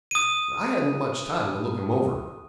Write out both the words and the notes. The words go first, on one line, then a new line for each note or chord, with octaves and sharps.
I hadn't much time to look him over.
D#6 D#7